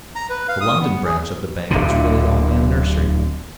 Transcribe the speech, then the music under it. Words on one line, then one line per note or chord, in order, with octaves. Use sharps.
The London branch of the bank was really only a nursery.
A#5
B4
F5
D#6
B3
G#4
D1 G1 A#2 D3